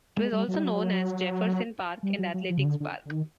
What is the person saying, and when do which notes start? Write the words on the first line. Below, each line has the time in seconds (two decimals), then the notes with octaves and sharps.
It was also known as Jefferson Park and Athletics Park.
0.17 G#3
0.32 G3
0.48 F#3
0.58 G3
0.64 F#3
2.03 G3
2.18 F#3
2.34 F#3
2.50 F3
2.58 C#3
2.65 D3
2.80 D3
3.06 D3
3.11 D#3